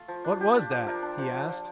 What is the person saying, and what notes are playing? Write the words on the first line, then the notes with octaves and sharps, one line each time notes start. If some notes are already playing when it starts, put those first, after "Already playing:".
"What was that?" he asked.
Already playing: A3 F4
F3
D4
D4 G4
D4 F4
F3 G4
D4 A#4
D4
F3
F3
F3